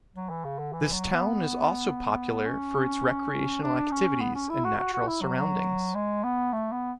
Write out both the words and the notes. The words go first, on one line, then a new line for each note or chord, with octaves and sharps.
This town is also popular for its recreational activities and natural surroundings.
F#3
E3
C#3
D3
E3
F#3
B3
C#4
D4
C#4
B3
C#4
E4
F#4
F#4
F#4
E4
F#3
F#3
G#3
B3
A3
B3